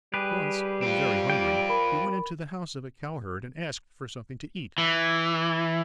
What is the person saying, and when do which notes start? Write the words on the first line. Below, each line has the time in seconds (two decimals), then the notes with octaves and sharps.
Once, when very hungry, he went into the house of a cowherd and asked for something to eat.
0.14 G3 G4 G#4 B4
0.82 C4 F4
1.30 D5 G5
1.69 A#4 B5
4.78 E3